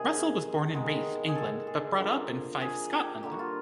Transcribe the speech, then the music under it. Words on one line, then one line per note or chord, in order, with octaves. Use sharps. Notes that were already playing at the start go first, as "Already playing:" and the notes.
Russell was born in Reeth, England but brought up in Fife, Scotland.
Already playing: C3 D#3 G#3 G#4
D#3 G#3 B3
G#4
A4
G#4
D3 F3 A#3
G#4
G4
D3 G3 A#3 G4
F#4
F4